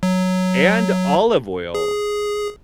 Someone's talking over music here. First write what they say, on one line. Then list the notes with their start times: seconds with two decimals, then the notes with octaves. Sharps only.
and olive oil
0.03 F#3
1.75 G#4